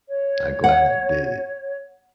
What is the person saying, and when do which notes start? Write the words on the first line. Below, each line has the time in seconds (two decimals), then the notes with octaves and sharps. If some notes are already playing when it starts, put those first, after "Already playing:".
I glad I did it.
0.09 C#5
0.64 F#5